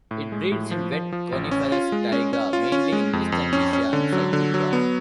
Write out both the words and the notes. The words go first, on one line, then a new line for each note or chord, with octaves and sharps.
It breeds in wet coniferous taiga, mainly in eastern Asia and Siberia.
A2
G#3
A2
F3
F3
F3
A1
C#4
F4
G#3
C#4
C#4
F4
C#4
G#3
F2
F2
C#4
C#4
D3
F#3
D3
F#3
B3